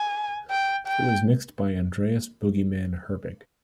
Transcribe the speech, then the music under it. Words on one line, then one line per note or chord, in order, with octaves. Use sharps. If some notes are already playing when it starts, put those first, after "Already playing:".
It was mixed by Andreas "Boogieman" Herbig.
Already playing: G#5
G5
G5